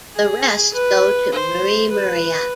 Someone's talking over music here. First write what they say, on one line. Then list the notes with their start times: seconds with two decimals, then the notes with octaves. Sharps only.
The rest go to Murimuria.
0.15 G#4
0.74 B4
1.33 C5
1.90 B4